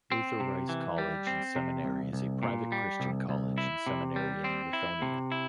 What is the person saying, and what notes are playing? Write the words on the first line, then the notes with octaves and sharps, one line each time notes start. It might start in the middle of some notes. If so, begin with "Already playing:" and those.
Luther Rice College and Seminary is a private Christian college and seminary in Lithonia.
C4
C3
E3
G3
C4
C3
C2
C2
A#2
G3
C2
C2
E4
C3
G3
C4
E4
C3
E4